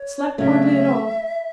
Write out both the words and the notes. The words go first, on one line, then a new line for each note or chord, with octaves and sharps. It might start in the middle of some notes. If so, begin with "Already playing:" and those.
Slept hardly at all.
Already playing: C#5
C#3 F#3 A3 C#4 E5